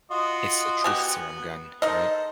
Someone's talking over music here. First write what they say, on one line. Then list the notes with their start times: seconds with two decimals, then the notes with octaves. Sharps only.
It's the truth serum gun, right?
0.11 F4 F#4 D#5
0.84 B3 F#4 G4 G#5
1.82 D#4 A4 A#4 C5 D#5